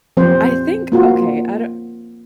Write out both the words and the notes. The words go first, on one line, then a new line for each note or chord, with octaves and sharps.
I think okay, I don't
F3 C4 C5
A#3 F4 F#4